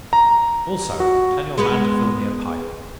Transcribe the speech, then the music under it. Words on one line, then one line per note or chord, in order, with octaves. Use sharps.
Also, tell your man to fill me a pipe.
A#5
F#4
G#3 B3 B4